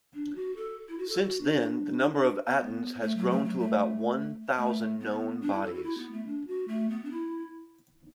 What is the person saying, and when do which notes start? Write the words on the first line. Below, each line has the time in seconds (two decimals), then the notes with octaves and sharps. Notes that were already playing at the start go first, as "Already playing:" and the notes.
Since then the number of Atens has grown to about one thousand known bodies.
0.14 D4
0.36 F#4
0.56 A4
0.88 E4
0.98 F#4
1.09 A4
1.20 F#4
1.41 D4
2.47 B3
3.02 A3
3.17 F#3
3.30 A3
3.45 F#3
3.59 A3
4.57 A3
5.00 B3
5.42 D4
5.52 E4
5.63 A4
5.74 F#4
5.84 E4
5.98 B3
6.12 A3
6.26 D4
6.47 F#4
6.68 A3
6.90 B3
7.05 D4
7.11 E4